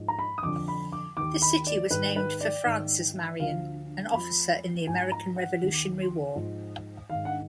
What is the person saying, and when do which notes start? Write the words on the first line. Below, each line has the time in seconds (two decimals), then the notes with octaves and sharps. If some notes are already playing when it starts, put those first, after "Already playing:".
The city was named for Francis Marion, an officer in the American Revolutionary War.
Already playing: G#2 F3
0.08 A#5
0.19 B5
0.38 D#6
0.43 F2 D3 F3 D6
0.68 B5
0.92 D6
1.17 D#2 D#3 D6
1.42 B5
1.67 D5
1.91 G#2 D#3 B4
2.16 B4
2.41 D5
2.65 G#2 D#3
3.39 D2 D3 F3 F5
4.13 F2 F3 B5
4.87 G#2 F3 G#5
5.12 A#5
5.36 F#5
5.62 D#2 D#3
6.36 G#2 F3
7.10 G#2 D#3 F5
7.25 F#5